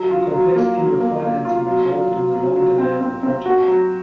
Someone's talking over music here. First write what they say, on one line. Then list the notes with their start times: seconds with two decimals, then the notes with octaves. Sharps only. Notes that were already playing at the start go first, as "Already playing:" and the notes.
The complexity of financing resulted in the long delay of the project.
Already playing: F#3
0.11 F4
0.34 F#3
0.56 A#3
0.77 F#3
1.00 A#3
1.22 A#3
1.45 F4
1.67 F#3
1.90 F#3
2.12 F#3
2.34 F#3
2.56 F#3
2.78 C4
3.01 C4
3.23 C4
3.46 F#4
3.68 F#3